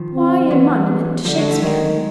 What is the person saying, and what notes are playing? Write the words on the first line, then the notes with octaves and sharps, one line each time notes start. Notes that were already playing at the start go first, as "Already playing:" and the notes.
Why a monument to Shakespeare?
Already playing: D#3 F3
C4
E3 F#3 B3
D3 F3 G3
F#3 G#3
G3 A3
D#3 F#3 G#3